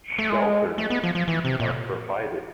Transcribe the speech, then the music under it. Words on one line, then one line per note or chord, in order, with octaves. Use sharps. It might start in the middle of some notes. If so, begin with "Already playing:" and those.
Shelters are provided.
A3
G#3
A3
B3
F3
F3
E3
C3
A#2